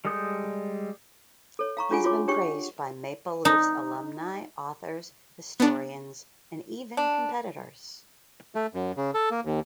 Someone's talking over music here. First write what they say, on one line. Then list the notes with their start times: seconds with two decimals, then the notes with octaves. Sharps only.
He has been praised by Maple Leafs alumni, authors, historians and even competitors.
0.05 G3 G#3 A4 D#6 G6
1.59 A4 C#5
1.77 F5 A#5 C#6
1.91 C#4 D4 F4 G#4 F#5 G#5
2.04 F4 F#4 C#5 D6
2.28 D4 G4 C#5 G5 C#6
2.42 F#5
3.45 D#4
5.60 B3 D4
6.97 D4
8.55 A3
8.74 F#2
8.97 C#3
9.14 A4
9.31 A#3
9.45 D#2